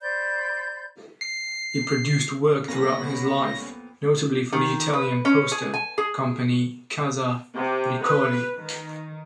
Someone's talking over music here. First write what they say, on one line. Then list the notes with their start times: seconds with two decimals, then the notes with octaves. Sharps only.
He produced work throughout his life, notably for the Italian poster company Casa Ricordi.
0.01 C5 D5 B5 G6
1.21 C7
2.68 C2 F2 A#3 B3 C#4 F#5 B5 A#6
4.52 D#3
4.93 B4
5.25 C#4
5.52 G#4
5.74 G#5
5.98 G#4
7.55 C3
8.04 B4
8.57 D#3